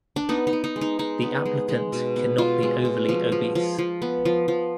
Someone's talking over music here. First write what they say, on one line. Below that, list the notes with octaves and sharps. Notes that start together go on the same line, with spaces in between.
The applicant can not be overly obese.
D4
B3 D#4
D#4
B3
D#4
G#3
D#4
G#3 D#4
B3
G#3
G#3
B2
B3
B2 F4
G#3
B2
F3
F3
F3
F3
B3
F3
F3